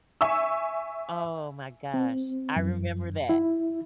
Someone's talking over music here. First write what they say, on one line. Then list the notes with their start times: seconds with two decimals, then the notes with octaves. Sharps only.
Oh my gosh. I remember that.
0.21 E5 G#5 C#6 E6
1.94 C4
2.56 F#2
3.29 E4